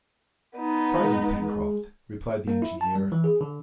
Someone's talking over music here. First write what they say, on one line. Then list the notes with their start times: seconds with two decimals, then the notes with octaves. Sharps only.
"Try them, Pencroft," replied the engineer.
0.56 B3 D#4
0.99 G#3
2.48 A#3
2.62 E4
2.81 A5
2.95 G3
3.12 E3
3.24 G#4
3.41 D3